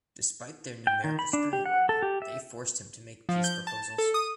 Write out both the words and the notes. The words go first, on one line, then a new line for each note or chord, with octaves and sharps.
Despite their numerical superiority they forced him to make peace proposals.
G5
D#3
B5
D4
G4
F#5
A4
G4
E5
F3
G6
A5
A4
D#6